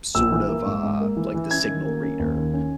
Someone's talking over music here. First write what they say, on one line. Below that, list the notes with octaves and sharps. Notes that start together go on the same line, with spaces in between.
sort of, uh, like the signal reader,
A#1 E6
E3
A#3
G#2
G#2
A#3
E3
E3
C#4 G#6
D#3
A#3
C#4
D#2
D#3
C#4